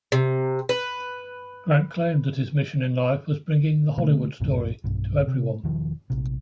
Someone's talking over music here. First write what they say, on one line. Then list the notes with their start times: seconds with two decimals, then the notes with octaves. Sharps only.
Grant claimed that his mission in life was bringing the Hollywood story to everyone.
0.12 C3
0.69 B4
3.97 B2 D3 A3 A#3
4.40 B1 F#2 A2 C3
4.84 B1 G2
5.27 C3
5.64 E1 D#3 F3
6.10 A#1 C3